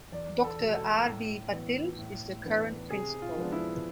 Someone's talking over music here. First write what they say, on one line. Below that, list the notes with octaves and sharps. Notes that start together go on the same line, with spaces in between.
Doctor R. B. Patil is the current Principal.
E2 D5
A4
B2 G#3
A4
A2
E3 B3
A2
E3 B3 D4
C3 G#4
F4
F3 G#3 B3 D4
E4